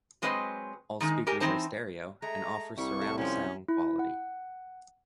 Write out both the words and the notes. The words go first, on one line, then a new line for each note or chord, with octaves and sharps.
All speakers are stereo and offer surround sound quality.
F#3 G#3 C4 B4 C5 D#5
D#3 G#3 C#4 D#4
G4 A4 A#4 D#5 G#5 A5
E3 C4 D#4 C5 A5
G#3 A3 A#5
C2 G3 C#6
A4
C3 F3 C#4
E4
F#5